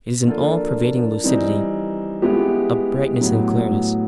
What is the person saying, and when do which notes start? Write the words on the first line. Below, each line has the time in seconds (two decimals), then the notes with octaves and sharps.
It is an all-pervading lucidity, a brightness and clearness.
0.25 F3 A#3 D4 F4 A4
1.24 E3 G3 C4 D#4
2.22 G#3 B3 E4 G4
3.21 A2 F#3 B3